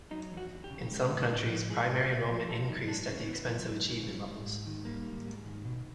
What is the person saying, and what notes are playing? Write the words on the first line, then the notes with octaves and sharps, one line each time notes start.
In some countries, primary enrollment increased at the expense of achievement levels.
F#3 D#4
E2
F#4
E2
G4
C#3
G#3
A2
A2
F3
G#3 G#4
A2
F#4
A2
F3
E3 A4
F#2 D#4
G#3 D4
C#3 C#4
E3 B3
F#2
G#3
C#3
G3
G#2
G#2
D#3
G3 A#3
G#2
G#2
D#3
B2